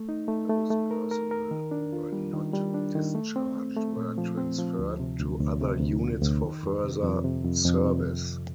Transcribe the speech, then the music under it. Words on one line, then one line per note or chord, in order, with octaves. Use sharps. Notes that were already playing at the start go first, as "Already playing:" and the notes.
Those personnel who were not discharged were transferred to other units for further service.
Already playing: A3
D#4
A3
A3
A3
A#4
A#4
A#4
D#3
D4
F4
G3
D#3
G3
D4
D#3
A3
C4
A3
A3
A#2
F3
C4
F3
D2
C3
D2
D2
C3
D2
D2
D2
D#3
F2
C3
F2
C3
F2
F2
C3